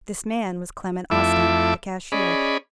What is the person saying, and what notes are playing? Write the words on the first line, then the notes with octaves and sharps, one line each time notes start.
This man was Clement Austin, the cashier.
F2 A3 E4 E5 D6
C#4 G#4 D5 D#5 B5